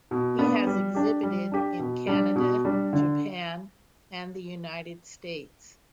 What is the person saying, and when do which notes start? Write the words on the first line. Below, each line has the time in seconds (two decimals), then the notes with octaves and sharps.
He has exhibited in Canada, Japan, and the United States.
0.11 B2
0.39 B3 D4
0.67 G3
0.95 D4 G4
1.23 G3
1.52 D4 G4
1.79 B2
2.07 G3 D4
2.36 B2
2.65 G3 D4
2.93 D3